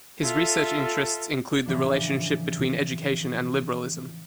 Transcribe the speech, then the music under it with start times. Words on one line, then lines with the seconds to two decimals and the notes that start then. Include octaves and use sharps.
His research interests include the relationship between education and liberalism.
0.23 F4 A4 E5
1.66 A2 C#3 E3 F3 D4